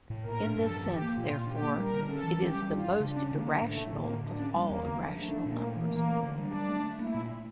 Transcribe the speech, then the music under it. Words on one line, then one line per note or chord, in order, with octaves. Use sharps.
In this sense, therefore, it is the "most irrational" of all irrational numbers.
A2
A#2 A#4
D4
G2 A4
F3
E3 G4
A#3
A#2 F4
A#2
D4 G4
A#3
G3 A#4
D3
C#4 A4
E3
C#4 G4
G3
G2 F4
G2
C#3 D4
C#4
D3 A#3
D4
A2 A3
A2
D3 A#3
D3
A2 D4
C#4
G3 A#3
E2
D3
F3
A3 D4
D4
A#2 A#3
A3
E3 A#3
E3
A3
D3
G3 D4
G3
A3
A3
A#3 E4
A#2